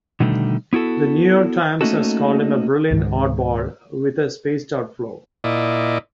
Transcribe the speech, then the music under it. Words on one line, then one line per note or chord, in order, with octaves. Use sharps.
The New York Times has called him A brilliant oddball with a spaced-out flow.
B2 D3 D#3 G3 A3
B3 E4 F#4 A4
A3 A#3 C#4 D#4 F#4 A4
C#2 G#2 D#3
A#2 E4 D5 D#5